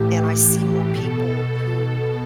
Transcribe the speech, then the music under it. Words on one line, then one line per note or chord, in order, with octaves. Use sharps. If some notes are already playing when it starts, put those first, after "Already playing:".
and I see more people who
Already playing: A2 E3 G4
B2 A4